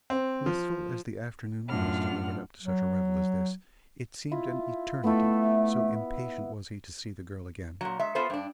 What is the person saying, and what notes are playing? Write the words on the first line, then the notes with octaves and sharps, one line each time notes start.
Blissful as the afternoon was, delivered up to such a revel as this, it seemed an eternity, so impatient was he to see the girl again.
C4
F3
F#2 A2 D4 F4 F#5 F6
F#3
E4 F4
A3 B3 E4
A#2 F#3
G#3 E5
B3 F4 A4 C5 E5
G2 D4